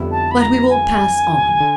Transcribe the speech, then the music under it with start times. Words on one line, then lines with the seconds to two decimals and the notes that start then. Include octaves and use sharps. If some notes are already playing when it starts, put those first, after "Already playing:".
But we will pass on.
Already playing: F2 D3 G3 B3 E4
0.11 A5
0.31 B5
0.40 A#5
0.70 G#5
1.60 D3